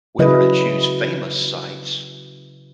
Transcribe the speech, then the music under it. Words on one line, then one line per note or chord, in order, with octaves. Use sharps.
whether to choose famous sites
C#3 F#3 E4 G#4 B4 D#5